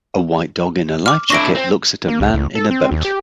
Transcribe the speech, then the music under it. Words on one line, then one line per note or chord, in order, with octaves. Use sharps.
A white dog in a life jacket looks at a man in a boat.
D6 F6
D4 E4 C#6 A#6 D7
C4
A#3
C2
C#2
A4
C4
D#2
G4